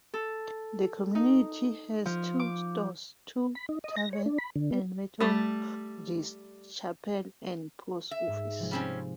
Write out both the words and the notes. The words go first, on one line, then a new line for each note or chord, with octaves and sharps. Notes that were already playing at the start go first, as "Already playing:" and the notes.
The community had two stores, two taverns, a Methodist chapel and a post office.
A4
D#4
F3
D6
B5
D#4
D#5
A#6
C#5
D4
B5
D3
B3
G3 A3
E5
G#2
C3 F3 G#3
G3 C4 C#4